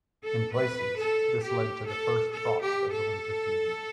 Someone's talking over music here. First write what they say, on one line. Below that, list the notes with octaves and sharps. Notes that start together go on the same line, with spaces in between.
In places, this led to the first frost of the winter season.
A4
B4
A4
G4
A4
A4
G4
A4